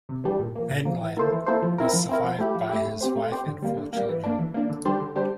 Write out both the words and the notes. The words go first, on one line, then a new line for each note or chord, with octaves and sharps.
Manlan was survived by his wife and four children.
C3
E3 G3 D4 G4
A#2
F3 A#3
A#2
F3 A#3
E3
A#3 E4 A4 C5
E3
A#3 E4 A4 C5
F3
C4 E4 A#4
F3
C4 E4 A#4
F3
A3 E4 G4
F3
A3 E4 G4
A3
C4 G4 C5
A3
C4 G4 C5
D3
G3 A#3
D3
G3 A#3
E3
A#3 D4
E3
A#3 D4
D3
G3 D4 G4 C5
D3
G3 D4 G4 C5